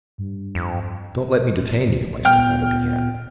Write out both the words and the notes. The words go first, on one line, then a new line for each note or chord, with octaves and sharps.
"Don't let me detain you," my stepmother began.
G2
F2
A#2 B3 G5 F6